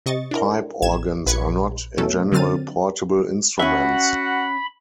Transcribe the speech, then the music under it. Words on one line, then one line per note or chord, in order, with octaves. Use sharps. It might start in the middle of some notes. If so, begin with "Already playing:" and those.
Pipe organs are not, in general, portable instruments.
C3 D#5 C#6 A6
D4 E4 A#4
A1 G#6 E7
A#1 B4 B5 G#6 C#7
B2 F#3 A3 C#4 A4
D3 F#3 C4 F6 A6 D#7
C#4 F#4 E5 F#5 B5